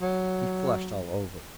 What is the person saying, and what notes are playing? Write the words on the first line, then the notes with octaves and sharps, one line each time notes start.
He flushed all over.
F#3